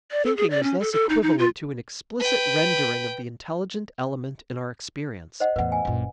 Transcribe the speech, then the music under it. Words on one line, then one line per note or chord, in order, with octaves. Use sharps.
Thinking is thus equivalent to an explicit rendering of the intelligent element in our experience.
D5
A4
G#4
D5
C#4
A4
A4
D#4
D#4
F4
B4 G5
C5 D#5 F#5
E2 A2 B4 F#5
G#5
F#1 A#2